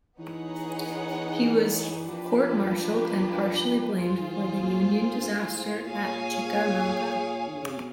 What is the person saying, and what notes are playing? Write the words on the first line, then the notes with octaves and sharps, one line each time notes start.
He was courtmartialed and partially blamed for the Union disaster at Chickamauga.
E3 B3 D#4 G#4 C#5 F#5
F3 A#3 D4 G4 B4
F#3
F3 F4 G#4 C5
D#3
E3
A#2
G#2
G2
A2
A2
A#2 G#4 C#5 F5 G#5
D#3
D3
C#3
C3
B2